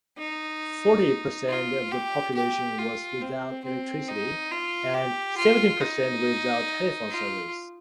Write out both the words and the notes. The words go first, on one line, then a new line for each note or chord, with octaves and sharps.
Forty percent of the population was without electricity and seventy percent without telephone service.
D#4
F4
G4
G4
F4
C4
C4
D#4
F4
G4
F4
D#4
F4